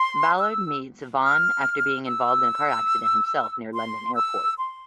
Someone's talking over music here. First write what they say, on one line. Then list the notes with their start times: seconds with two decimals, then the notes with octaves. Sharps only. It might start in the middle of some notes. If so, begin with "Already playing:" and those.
Ballard meets Vaughan after being involved in a car accident himself near London Airport.
Already playing: C6
0.39 E6
1.22 F6
2.06 E6
3.74 C6
4.15 E6
4.58 C6